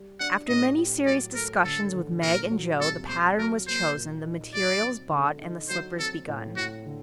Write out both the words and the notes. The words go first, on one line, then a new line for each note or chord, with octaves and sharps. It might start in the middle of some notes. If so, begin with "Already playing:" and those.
After many serious discussions with Meg and Jo, the pattern was chosen, the materials bought, and the slippers begun.
Already playing: G3
D4 F#5
A2 D#5
G4
F#3 D5
A3 A#4
D3 A4
D3
A#2 A#4
F#3
C2 A4
C2 C5
F#3 A#4
A#3 C5
A#2
D#4
F#3 D5
C4
D3
D#4
F#3 C5
C4 A4
A2
A2 F#4
D3